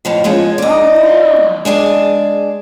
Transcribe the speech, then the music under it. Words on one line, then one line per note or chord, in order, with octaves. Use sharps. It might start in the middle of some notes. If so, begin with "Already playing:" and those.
Oh yeah,
F2 A2 F3
F3 G#3 B3 C#4
D5 D#5
G#3 D4 G#4 D5